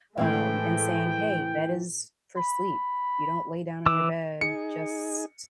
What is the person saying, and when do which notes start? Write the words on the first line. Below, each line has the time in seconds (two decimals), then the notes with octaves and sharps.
um, and saying, "Hey, bed is for sleep." You don't lay down on your bed just
0.18 A2 E3 G#3 A3 C4 E4 G5
2.37 B5
3.86 E3 D6 E6
4.41 D#4 G#4 C#7